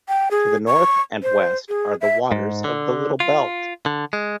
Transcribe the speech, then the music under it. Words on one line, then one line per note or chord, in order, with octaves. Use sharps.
To the north and west are the waters of the Little Belt.
G5
G#4
C#6
C5
G#4
E5
G#2
D3
F4
D3
G#3